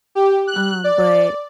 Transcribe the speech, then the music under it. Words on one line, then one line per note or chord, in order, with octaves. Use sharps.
um, but
G4
F#6
D5